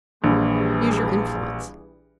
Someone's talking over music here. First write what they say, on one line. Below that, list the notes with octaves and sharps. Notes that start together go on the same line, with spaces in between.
Use your influence.
A#1 E3 G3 G#4